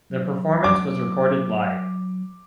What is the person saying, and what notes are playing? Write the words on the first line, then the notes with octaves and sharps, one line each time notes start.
The performance was recorded live.
F#3
D6